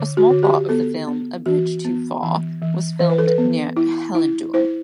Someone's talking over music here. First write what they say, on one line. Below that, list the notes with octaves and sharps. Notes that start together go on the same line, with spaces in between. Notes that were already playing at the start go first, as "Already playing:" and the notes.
A small part of the film "A Bridge Too Far" was filmed near Hellendoorn.
Already playing: D3
F#4
D3
G4
B3 A4
B3
E3 F#4
B3
E3
E3
E3 C5
B4
A4
B4
B3
E4
E4
E4 C5